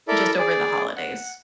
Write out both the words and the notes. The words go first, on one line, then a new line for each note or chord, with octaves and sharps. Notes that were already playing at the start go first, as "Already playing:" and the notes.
just over the holidays?
E4 A4 A#4 D5 E5
G#4 D5
F#5